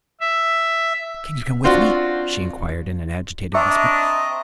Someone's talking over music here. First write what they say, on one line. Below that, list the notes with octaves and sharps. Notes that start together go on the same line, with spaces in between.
'Can you come with me?' she inquired, in an agitated whisper.
E5
C4 D4 F4 F#4
C4 D4 D#5 E5 A#5 C#6